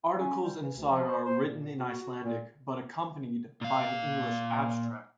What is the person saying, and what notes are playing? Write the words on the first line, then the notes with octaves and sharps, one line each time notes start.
Articles in "Saga" are written in Icelandic but accompanied by an English abstract.
C#4
G3
E3
D2
F3
C5
C5
A#2
F#4
F#4
A#2
A#2 F5